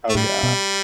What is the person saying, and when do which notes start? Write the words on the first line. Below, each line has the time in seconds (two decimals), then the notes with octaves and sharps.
Oh, yeah.
0.09 A3
0.15 A2 G3
0.43 B2